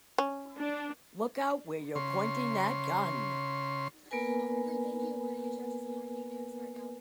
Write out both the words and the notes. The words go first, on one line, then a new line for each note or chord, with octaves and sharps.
Look out where you're pointing that gun!
C#4
D4
C#3 C6
A#3 B3 A#4 B4 G#5